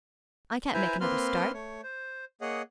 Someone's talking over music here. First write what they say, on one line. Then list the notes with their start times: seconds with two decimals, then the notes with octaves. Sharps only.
I can't make another start.
0.73 E4 B4 C5 G#5 A#5
1.01 A#3 C4 B4 C6 F6
1.53 A3 C#5
1.83 C5
2.41 A#3 G#4 C#5 D#5 F#5